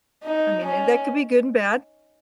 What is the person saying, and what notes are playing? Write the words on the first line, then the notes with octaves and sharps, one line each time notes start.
I mean, and that could be good and bad.
D#4
C#4